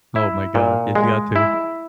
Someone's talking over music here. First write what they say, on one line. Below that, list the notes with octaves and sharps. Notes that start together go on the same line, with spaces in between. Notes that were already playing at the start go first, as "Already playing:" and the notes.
Oh, my god, ye you got to.
E4
A#2
G#3
E4